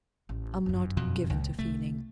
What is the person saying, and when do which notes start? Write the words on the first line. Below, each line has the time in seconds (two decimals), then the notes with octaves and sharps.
I'm not given to feelings.
0.29 A1
0.66 G1 F#2
0.97 F2 B2
1.30 C#2 A#2
1.59 C2 A3